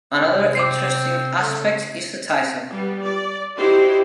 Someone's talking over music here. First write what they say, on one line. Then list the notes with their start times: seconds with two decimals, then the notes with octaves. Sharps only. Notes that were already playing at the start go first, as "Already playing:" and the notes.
Another interesting aspect is the title.
0.18 C3 G#3
0.55 C4 D6 C7
1.40 C#3 A3
2.71 G3 B3
3.02 D5
3.57 D#4 E4 F#4 G4 C5 D5